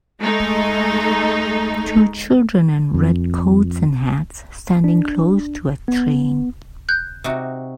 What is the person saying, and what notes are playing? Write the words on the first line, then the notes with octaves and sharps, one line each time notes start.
Two children in red coats and hats standing close to a train.
G#3 A3 D#4
F2
D4
B3
F#6 G6
C3 D#4 F#4